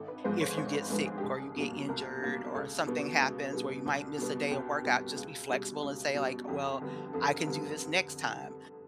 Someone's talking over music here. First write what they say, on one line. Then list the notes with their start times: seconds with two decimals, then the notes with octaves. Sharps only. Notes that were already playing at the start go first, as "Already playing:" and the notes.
if you get sick or you get injured or something happens where you might miss a day of workout, just be flexible and say, like, "Well, I can do this next time.
Already playing: G#1 A4
0.08 B4
0.24 G#2 F3 G#3 B3 C5
0.41 C#5
0.57 G#1 C5
0.74 B4
0.90 G#2 F3 G#3 B3 A4
1.06 G#4
1.18 G4
1.23 C2 G#4
1.56 B2 G3 A#3
1.88 C2 A#4
2.21 B2 G3 A#3
2.55 C#2 A4
2.87 B2 G3 B3
3.20 C#2
3.53 B2 G3 B3
3.86 C2
4.18 B2 G3 B3
4.51 C2 G4
4.84 B2 G3 B3
5.16 C#2
5.50 B2 G3
5.83 C#2
6.15 B2 G3
6.48 F2 G4
6.82 D3 G3 B3
7.13 F2 A4
7.22 A#4
7.28 A4
7.47 D3 G3 B3